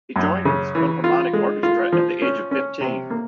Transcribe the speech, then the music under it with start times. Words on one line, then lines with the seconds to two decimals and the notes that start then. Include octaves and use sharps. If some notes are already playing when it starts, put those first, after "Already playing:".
He joined its Philharmonic Orchestra at the age of fifteen.
0.16 F#2
0.45 C#3
0.75 E3
1.04 F4
1.33 G#3
1.63 F4
1.92 F3
2.22 C#4
2.51 C#4
2.81 C3
3.10 A#3